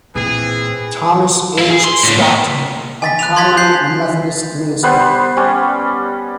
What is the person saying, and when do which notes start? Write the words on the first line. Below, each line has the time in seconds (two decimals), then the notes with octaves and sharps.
Thomas H. Stockton, a prominent Methodist minister.
0.15 A#2 E3 C4 G#4
1.58 E4 F5
1.70 G#4
1.84 C6
2.03 A2 D3
2.18 A#3 B3
3.02 G#5 A6 B6
3.19 F#6 F7
3.36 C6 G#6 A6 B6
3.57 G6 C7
4.83 G3 B3 B4 C5
5.37 G3 C#4